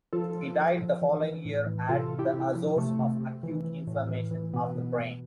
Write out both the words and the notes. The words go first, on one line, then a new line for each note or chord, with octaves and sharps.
He died the following year at the Azores of "acute inflammation of the brain".
F3 F4 A4
F3
F3
F3
E3
E3
A2
E3
C3 F4 A4
C3
E4 G4
C3
F3
C3 A3
C3
C3
E3
E3
A2
E3
E3
B2 B3
B2
B2